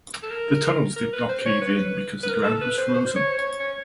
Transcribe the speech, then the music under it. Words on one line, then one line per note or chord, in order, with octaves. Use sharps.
The tunnels did not cave in because the ground was frozen.
A4
A#4
A#4
B4
C5
C#5
B4
B4
A#4
A4
B4
C5
C5
C5
C#5
C5
C#5
C#5